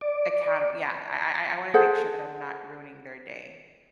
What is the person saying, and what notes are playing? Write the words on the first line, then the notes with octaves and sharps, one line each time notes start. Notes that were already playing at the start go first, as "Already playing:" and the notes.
account Yeah, I I I I wanna make sure that I'm not ruining their day.
D5
G#4 A4 C5 F#5